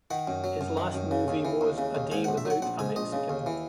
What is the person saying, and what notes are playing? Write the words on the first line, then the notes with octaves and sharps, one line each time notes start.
His last movie was "A Day Without a Mexican".
D#3 F#5
F#2
F#3
F#2
D#3
F#2
C#3
D#2
E3
D#2
C#3
D#2
G#2 G#5
F#5
A#1
E5
F#3 F#5
A#1 F#5
G#2 G#5
A#1 D#5
C#3
D#2
E3